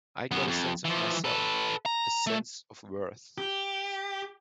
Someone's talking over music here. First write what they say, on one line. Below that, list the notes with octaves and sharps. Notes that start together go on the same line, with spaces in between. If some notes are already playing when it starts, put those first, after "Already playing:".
I got a sense of my self - a sense of worth.
F#2 B3
F2
E3 F3
A4 B4
A#5
A3
G4